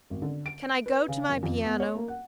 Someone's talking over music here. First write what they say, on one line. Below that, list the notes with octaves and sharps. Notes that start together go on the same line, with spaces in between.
Can I go to my piano?
G#1
D3
D7
B4
C#3
F#1
F2
B3
C#5
A#3
F#5